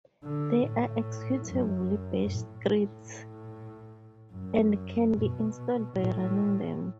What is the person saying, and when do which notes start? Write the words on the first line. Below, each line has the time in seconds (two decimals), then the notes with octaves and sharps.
They are executable bash scripts, and can be installed by running them.
0.24 D3
0.64 A2
1.46 F#2
2.28 A2
2.69 A2
4.33 F#2
5.15 B2
5.97 A2